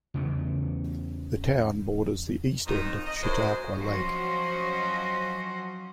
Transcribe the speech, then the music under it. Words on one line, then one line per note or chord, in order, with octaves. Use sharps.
The town borders the east end of Chautauqua Lake.
E2 C#3 E3 A3
F2 D#3 D#4
D#5
F#2 G#3 C5
F3 F#3 C#4 F#4 C5 D#5